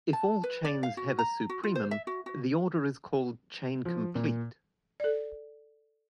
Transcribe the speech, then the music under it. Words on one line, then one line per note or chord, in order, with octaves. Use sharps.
If all chains have a supremum, the order is called chain complete.
A5
B4
D5
F5
F#4
A#5
F#4
F4
C5
E5
F#4
F#4
F3
A#2
A4 D5